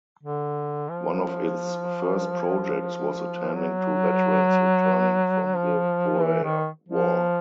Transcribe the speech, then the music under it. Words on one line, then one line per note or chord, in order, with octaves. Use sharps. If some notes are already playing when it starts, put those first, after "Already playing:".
One of its first projects was attending to veterans returning from the Boer War.
D3
F3
F#3
F3
E3
D#3
F3